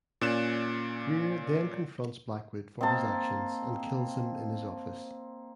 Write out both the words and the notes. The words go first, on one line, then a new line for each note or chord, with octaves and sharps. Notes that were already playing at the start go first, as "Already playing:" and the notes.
Greer then confronts Blackwood for his actions and kills him in his office.
A#2 C#4 D5 F#6 E7
A#3 C4 D#5 A5